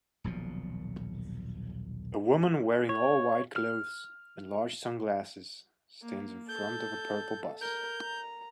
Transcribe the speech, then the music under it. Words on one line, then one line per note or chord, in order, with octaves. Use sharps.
A woman wearing all white clothes and large sunglasses stands in front of a purple bus.
D#1 B1 A#2 F3
C#5
F6
A#3
A4 G6
A#4 G6
A#5